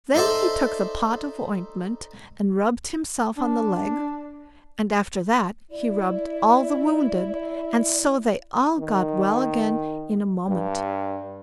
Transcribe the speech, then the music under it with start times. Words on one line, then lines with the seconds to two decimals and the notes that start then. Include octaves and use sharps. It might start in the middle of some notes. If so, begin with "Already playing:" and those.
Then he took the pot of ointment and rubbed himself on the leg, and after that he rubbed all the wounded, and so they all got well again in a moment.
0.14 D#4 A4 C5 D5 E5
3.37 D4
5.71 E4 D5
8.79 D#3
10.49 G2